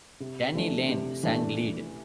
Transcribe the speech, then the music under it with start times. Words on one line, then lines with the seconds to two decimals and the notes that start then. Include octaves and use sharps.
Denny Laine sang lead.
0.20 C3
0.55 E3 A3 D4
0.89 C3
1.23 E3 A3 D4